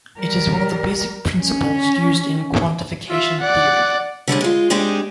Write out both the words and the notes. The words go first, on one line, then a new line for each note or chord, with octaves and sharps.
It is one of the basic principles used in quantification theory.
G3 A#4
C#4
F4 E5
D5 F#5
D3 G3 G#3 C#4
G#3 F4
G#3 C4 D4 D#4 G4